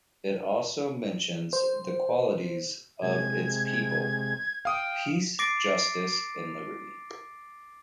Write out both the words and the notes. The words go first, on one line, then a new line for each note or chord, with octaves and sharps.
It also mentions the qualities of its people: peace, justice, and liberty.
C5
C3 G#3 G#6
F5 G5 D#6
D6 A6 A#6 C7 D7